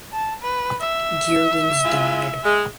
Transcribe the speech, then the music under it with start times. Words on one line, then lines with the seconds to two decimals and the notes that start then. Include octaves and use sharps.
Geerlings died.
0.13 A5
0.42 B4
0.81 E5
1.85 G#3 E4 F4
2.45 G#3